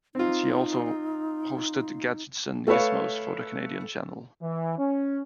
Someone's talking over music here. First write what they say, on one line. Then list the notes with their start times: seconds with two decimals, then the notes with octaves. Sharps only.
She also hosted "Gadgets and Gizmos" for the Canadian channel.
0.15 C4 D#4 F4
2.67 A3 A4 B4 C#5 F5
4.42 E3
4.79 C#4